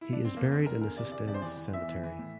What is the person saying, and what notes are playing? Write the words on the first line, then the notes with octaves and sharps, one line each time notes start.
He is buried in Assistens Cemetery.
E4
D4
C4
F2 A#3
D3 C4
D3 A#4
E2 A#4
C3 D5
E2 D5
F2 D5
C5
E3 D5
E3
E2 E5
E3
E3
A2